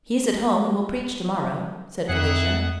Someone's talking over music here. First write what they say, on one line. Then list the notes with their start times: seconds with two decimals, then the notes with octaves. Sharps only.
"He is at home and will preach tomorrow," said Felicia.
2.09 F2 G#4 E5 F#5